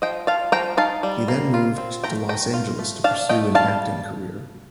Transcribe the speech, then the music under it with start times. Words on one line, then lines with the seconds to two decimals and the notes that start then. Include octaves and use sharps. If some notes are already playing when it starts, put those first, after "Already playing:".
He then moved to Los Angeles to pursue an acting career.
0.02 F3 D#5 G5
0.27 F4 F5 A5
0.52 F3 G5 A#5
0.77 D#4 F5 A5
1.03 G3
1.28 A#3
1.54 F4
1.78 C4
2.04 A3 G5 A#5
2.29 A3 G5 A#5
2.54 F4
2.79 A3
3.04 D4 F5 A5
3.29 A3 D#5 G5
3.55 G3 F5 A5